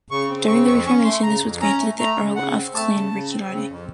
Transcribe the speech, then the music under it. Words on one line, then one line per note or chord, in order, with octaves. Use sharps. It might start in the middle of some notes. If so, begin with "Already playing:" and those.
During the reformation this was granted to the Earl of Clanricarde.
C#3 C#6
C4
C#3 C#6
F2 C#6
C#4 C#6
A3 C6
C#3 A#5
F2
C#4 A#5
A3
A3 A#5
C#3
C#3 F#5
C4
A3 A5
C#3
C#3
C4
C#3
F2